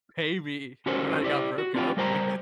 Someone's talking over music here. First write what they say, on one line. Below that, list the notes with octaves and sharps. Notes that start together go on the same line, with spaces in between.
pay me when I got broken up with.
C#4 F#4 G4 A4 A#4 C5
E4 G4 D5
F#4
C4 D4 F4 G4
G3 A#4 C5 G5 A#5